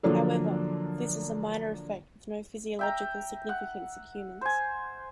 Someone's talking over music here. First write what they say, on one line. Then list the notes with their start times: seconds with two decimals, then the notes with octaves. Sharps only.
However, this is a minor effect with no physiological significance in humans.
0.03 D3 F3 F#3 A#3 D4 A4
2.79 E5 G5 A#5
3.49 F#5
4.41 C5 G#5